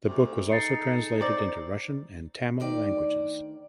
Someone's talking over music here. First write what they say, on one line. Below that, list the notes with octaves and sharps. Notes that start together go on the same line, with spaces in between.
The book was also translated into Russian and Tamil languages.
D2 C3
D#4 G#4 A4 A6 C7 C#7
C4 D5
D2 D#3 D5